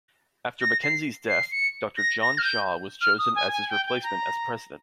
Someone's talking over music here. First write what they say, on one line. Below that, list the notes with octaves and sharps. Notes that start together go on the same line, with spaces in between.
After MacKenzie's death, Doctor John Shaw was chosen as his replacement as president.
A#6
C7
C7
C#7
A#6
A#6
F6
G6
F6
D#6
G#5
G#5
G5
G5
A#5